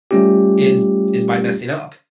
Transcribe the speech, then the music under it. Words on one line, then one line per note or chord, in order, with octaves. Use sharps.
is, is by messing up,
G3 A3 C#4 F4 G4